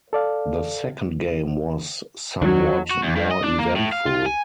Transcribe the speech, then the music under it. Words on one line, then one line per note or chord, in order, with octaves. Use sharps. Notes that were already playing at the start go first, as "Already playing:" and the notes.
The second game was somewhat more eventful.
A4 D5 F5
D#2 D#3 F#3 D4
F#4
E2
G2
D#5
D4
A#3
A2
F5
F4
G#5